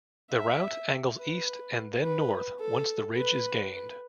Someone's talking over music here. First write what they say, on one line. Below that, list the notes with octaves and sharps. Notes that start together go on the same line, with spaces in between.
The route angles east and then north once the ridge is gained.
E5
B4
B4
A4
B4
B4